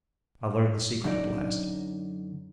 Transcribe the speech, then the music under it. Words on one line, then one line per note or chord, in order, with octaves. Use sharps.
I learn the secret at last.
F#2 D3 D#4 D5